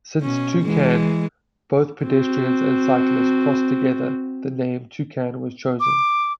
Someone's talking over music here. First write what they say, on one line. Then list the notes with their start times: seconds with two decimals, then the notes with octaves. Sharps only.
Since "two-can", both pedestrians and cyclists, cross together, the name "toucan" was chosen.
0.21 B2 C#4
0.62 E3 G#3
2.06 C4 F#4
5.80 D6